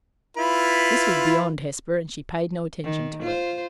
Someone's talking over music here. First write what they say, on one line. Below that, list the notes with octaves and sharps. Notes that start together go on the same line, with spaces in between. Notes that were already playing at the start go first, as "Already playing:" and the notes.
This was beyond Hesper, and she paid no attention to it.
E4 F4 B4
D#3
F4 C5